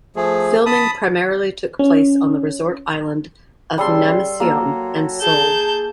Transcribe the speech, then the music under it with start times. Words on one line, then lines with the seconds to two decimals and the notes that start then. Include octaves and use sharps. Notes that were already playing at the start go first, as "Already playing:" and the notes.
Filming primarily took place on the resort island of Namiseom and Seoul.
0.16 F3 A3 G#4
0.66 A5 B5 D#6
1.79 C#4
3.78 C#3 G3 A4 C6
4.40 F#3 A#3 A4 A#4
5.22 G#4 A5 G6